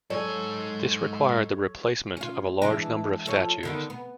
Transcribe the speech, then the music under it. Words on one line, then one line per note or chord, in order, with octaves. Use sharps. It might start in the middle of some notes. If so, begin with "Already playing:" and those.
This required the replacement of a large number of statues.
G#2 F#3 A4 C#5 G#5
C#4 F4
E3 G#3 D4
F3 A4 C#5
D3 D#3 B3
B3